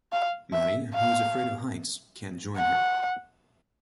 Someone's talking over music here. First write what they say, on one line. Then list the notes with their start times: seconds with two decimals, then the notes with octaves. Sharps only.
Maddie, who is afraid of heights, can't join her.
0.12 F5
0.53 E5
0.94 F5
2.57 F#5